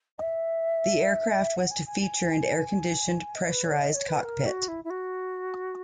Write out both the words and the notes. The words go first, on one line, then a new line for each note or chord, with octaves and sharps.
The aircraft was to feature an air-conditioned pressurized cockpit.
D#5
E5
F#5
G#5
G#5
G#5
D#5
B4
C#5
D#5
C#5
B4
A#4
F#4
E4
E4
F#4